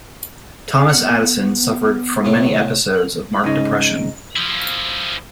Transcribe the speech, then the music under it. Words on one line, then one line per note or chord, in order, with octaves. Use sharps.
Thomas Addison suffered from many episodes of marked depression.
B3 F#5
C2 A2 F#3
G#2 C#3 D#4
F3 E4